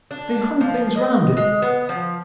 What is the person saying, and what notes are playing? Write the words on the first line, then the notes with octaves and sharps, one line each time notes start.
They hung things round it.
D4
F3
D#5
G#3
B3
F3